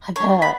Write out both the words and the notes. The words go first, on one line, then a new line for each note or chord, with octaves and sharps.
I bet.
D4 C#5
B3 B5